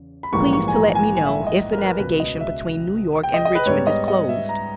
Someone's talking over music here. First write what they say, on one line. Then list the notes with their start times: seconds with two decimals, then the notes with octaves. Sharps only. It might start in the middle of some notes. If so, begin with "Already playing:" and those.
Please to let me know if the navigation between New York & Richmond is closed.
Already playing: E2 C#3
0.23 B5
0.32 A#1 G#2 E3 G3 A#3 C#6
0.53 C#6
0.68 G#5
0.74 A#5
0.95 G#5
1.17 G#5
1.26 E5
1.47 D#5
1.72 A#4
1.78 B4
1.99 C#2 B2 G#3 B4
2.20 D#5
2.41 E5
3.23 G5
3.34 D#5
3.45 D#5
3.55 B4
3.66 G#2 G3 B3 C#5
3.87 D#5
4.08 D#5
4.29 E5
4.49 A#5